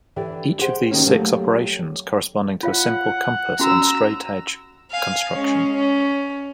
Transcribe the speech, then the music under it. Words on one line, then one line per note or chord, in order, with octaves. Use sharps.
Each of these six operations corresponding to a simple compass and straightedge construction.
D3 E3 G4 D5
G4 G#4 C5 F#5
D#3 F3 A#3 C#4 F#4
F#3 A3 A#3 G4
F4 C#5 F5 F#5
C#4 F#4 A#5 E6
F5 G#5
G#3 C#4
C#4